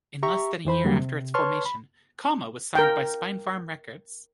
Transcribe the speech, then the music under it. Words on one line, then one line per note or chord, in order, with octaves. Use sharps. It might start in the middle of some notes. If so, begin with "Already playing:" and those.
In less than a year after its formation, Kalmah was signed by Spinefarm Records.
G4 E5 A#5 C#6
F2 E3 C5 B5
E2 D3 F#3 G3 A#3
C3
B4 C#5 A5 C6 C#6 F6
B5
A#4 G5